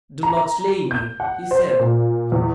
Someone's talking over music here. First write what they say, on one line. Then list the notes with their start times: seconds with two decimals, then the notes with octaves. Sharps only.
"Do not slay me," he said.
0.23 A#5
0.91 G6
1.20 F#5
1.51 C5
1.80 A#2
2.32 E2